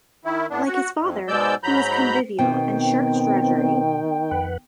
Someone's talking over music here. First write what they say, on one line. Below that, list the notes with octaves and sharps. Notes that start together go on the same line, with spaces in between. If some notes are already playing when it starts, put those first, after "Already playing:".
Like his father, he was convivial and shirked drudgery.
D#3 E4
A2 B3 D4
F#4
F2
G#2 B2 G#3 D5 E6 G6
G#2 F#3 A#5 B5 G6
B2 D#3 B3 C4 G5
F2 B4 F#5